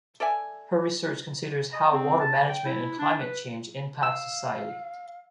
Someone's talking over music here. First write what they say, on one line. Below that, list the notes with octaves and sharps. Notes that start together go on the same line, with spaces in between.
Her research considers how water management and climate change impact society.
A4 D5 E5 G#5
D#5
C4
A5
G5
E4
D4
B4
F5 E6